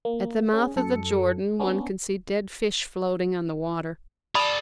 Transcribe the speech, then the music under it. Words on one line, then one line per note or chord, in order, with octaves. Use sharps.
At the mouth of the Jordan one can see dead fish floating on the water.
A#3
C#4 G#4
F#2 A4 C#7
B3 C#4 D4
G#4 D5 A5 B5 D#6